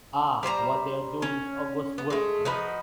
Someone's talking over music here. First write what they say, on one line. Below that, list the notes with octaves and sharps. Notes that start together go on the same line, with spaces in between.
Ah! What they are doing is august work.
G3 C5 G#5 A#5
C#4
B3
G#3 A3
F3 D#4 F#4 B4